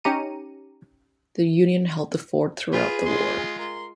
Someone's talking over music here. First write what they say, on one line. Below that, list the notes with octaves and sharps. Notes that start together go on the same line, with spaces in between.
The Union held the fort throughout the war.
C#4 D#4 G4 A#5 C#7 D#7
F4 G#4 B4
G#3 F4 C6
A#4 C6